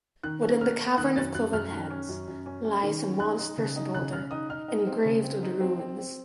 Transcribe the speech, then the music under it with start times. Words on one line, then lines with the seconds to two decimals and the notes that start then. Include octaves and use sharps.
Within the Cavern of Cloven Heads lies a monstrous boulder engraved with runes.
0.23 D#3 F#6
0.42 C#4
0.61 A#3 F6
0.79 A#3
0.98 D#3 F#6
1.16 F#2 A6
1.35 F#2 F#6
1.53 F#2 F6
1.72 D#3
1.91 C#4
2.09 F#2
2.28 F#2
2.46 C#4
2.65 C#4
2.83 D#3
3.02 C#4
3.20 D#4 F#6
3.39 D#4
3.58 C#3
3.76 D#4
3.94 C#3 F#6
4.13 C#3 F6
4.31 D#4 D#6
4.50 D#4 F6
4.68 D#4
4.87 C4
5.05 C#3
5.24 C4
5.43 D#4
5.61 C4
5.80 C4
5.98 C4